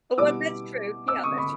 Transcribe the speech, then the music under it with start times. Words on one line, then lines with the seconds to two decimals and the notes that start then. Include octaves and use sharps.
Oh well, that's true, yeah, that's tr
0.18 B2 G3 B3 E4 D6 E6
1.08 D6 E6
1.23 C#6 D#6
1.38 B5 C#6